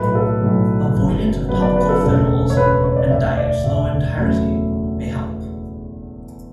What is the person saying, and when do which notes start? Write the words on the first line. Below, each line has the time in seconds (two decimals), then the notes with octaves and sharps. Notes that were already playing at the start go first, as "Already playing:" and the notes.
Avoidance of topical phenols and diets low in tyrosine may help.
Already playing: B1 A2 F#3 A3 E4 B4
0.15 A4
0.42 B1 A2 F#3 A3 E4
0.95 F#1 F#2 C#3 F#3 B3
1.49 F#1 F#2 C#3 F#3 B3 B4
1.62 D5
1.76 B4
1.89 A4
2.03 E1 D2 C#3 A4
2.50 C#5
2.56 E1 D2 C#3 B4
2.70 B4
2.84 C#5
2.96 D5
3.10 E1 D2 D3 E5
3.37 D5
3.64 E1 D2 D3 E5
4.17 E2 C#3 F#3 A3 E4